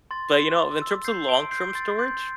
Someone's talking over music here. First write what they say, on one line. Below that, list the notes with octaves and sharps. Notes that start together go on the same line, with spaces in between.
But, you know, in terms of long-term storage,
C6 A6
C6
C6
E6
G6 C7
C6 D7
G6 C7
C6 A6
C6 G6